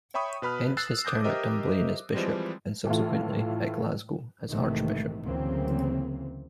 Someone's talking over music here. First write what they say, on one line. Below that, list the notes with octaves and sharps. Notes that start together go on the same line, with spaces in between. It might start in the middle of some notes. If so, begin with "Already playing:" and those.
Hence his term at Dunblane as Bishop and subsequently at Glasgow as Archbishop.
C#5 E5 G5 B5 C#6 D#6
B2 B4 B5 F6
E6 F#6 A6 C7
D6 D#6 G6 A#6
G4 A#4 C5 D#5 E5
E3 F3 G3 G#3 C4
A2 E3 A3 E4 F4
A#1 G#2 C3 D#3 E3 A3
D2 C#3 E3 F#3 A#3 C4